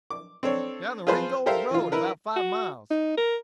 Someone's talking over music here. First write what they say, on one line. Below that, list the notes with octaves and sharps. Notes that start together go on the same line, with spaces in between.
"Down the Ringgold road about five miles."
D6
C4 D4 A4 C#5
F4 G#4 B4 C5 A5 C6
G4 A4 A#4 C5 E5 F5
E3 F4
E4 A#4 B4
F#4
D#4
A#4